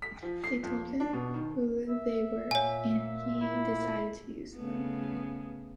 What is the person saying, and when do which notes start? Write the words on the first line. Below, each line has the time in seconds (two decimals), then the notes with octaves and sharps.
They told him who they were, and he decided to use them.
0.02 B6
0.23 F3
0.44 C7
0.63 F2
1.00 D4
1.13 B2
1.34 D#3
1.89 E5
2.51 A#2 C#5 G#5
3.41 E4
4.56 C#3 A3 B3